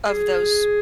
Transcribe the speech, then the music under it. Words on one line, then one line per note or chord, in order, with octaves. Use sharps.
of those
G#4